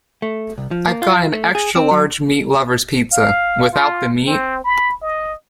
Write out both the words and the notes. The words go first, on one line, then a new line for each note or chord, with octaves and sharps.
I’ve got an extra large meat lover’s pizza, without the meat?
A3
C2
F3
A#3
F4
A3
G#4
C4
F#3
F5
F4
C4
B5
D#5